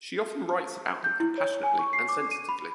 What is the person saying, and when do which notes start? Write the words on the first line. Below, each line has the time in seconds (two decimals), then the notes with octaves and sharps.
She often writes about them compassionately and sensitively.
1.04 G6
1.20 E4
1.38 C#5
1.63 G#5
1.79 C#6
1.93 C7
2.09 D6
2.31 D#7
2.49 B5